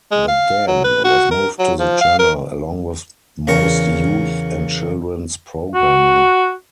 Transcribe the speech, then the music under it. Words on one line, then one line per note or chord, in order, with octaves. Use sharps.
"The Den" was moved to the channel, along with most youth and children's programming.
G#3
F5
F#3
B4
F#4
A#4
F#3
F3
F5
A#4
E2 C#3 A#4 C#6
F#4